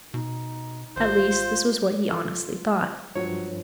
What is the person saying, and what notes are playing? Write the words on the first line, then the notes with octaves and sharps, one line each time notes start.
At least, this was what he honestly thought.
B2 D#4
G#1 F4 C5
F4 A4
G2 F3 F#3 C#5